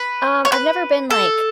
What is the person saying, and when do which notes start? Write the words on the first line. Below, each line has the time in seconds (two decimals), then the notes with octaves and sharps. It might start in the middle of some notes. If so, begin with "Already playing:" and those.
Um, I’ve never been, like
Already playing: B4
0.45 C#5
0.52 B4
1.10 A4